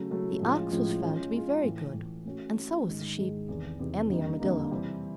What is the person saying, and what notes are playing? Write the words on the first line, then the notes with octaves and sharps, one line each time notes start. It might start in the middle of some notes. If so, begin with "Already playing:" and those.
The ox was found to be very good, and so was the sheep, and the armadillo.
Already playing: C#3 F#3 A3
C#3 F#3 A3
A2 F3 G#3 C#4 F4
A2 F3 G#3 C#4 F4
G#3 C#4 F4 G#4
G#3 C#4 F4 G#4
A2 E3 A3
A2 E3 A3
A3 C#4 F#4
A3 C#4 F#4
G#2 D#3 G#3
G#2 D#3 G#3
E2 C3 D#3
E2 C3 D#3
F2 D3 G3 A#3 D#4
F2 D3 G3 A#3 D#4
C3 E3 G3 C4 E4